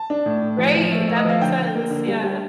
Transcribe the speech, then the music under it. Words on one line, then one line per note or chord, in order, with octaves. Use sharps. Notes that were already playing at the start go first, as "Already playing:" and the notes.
Right, that makes sense, yeah.
Already playing: A5
D4
A2
A2
F3
F3
A3
A3
D#5
F3 F5
D3 G5
D3
A#3
D3
G3
G3